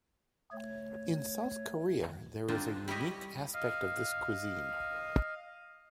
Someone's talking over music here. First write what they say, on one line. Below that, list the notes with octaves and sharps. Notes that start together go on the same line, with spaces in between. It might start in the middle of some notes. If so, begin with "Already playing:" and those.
In South Korea there is a unique aspect of this cuisine.
A3 C#5
D3 C4 D4 D#4 F4 C5
G3 E4 G4 C#5 D#5
D#5 F5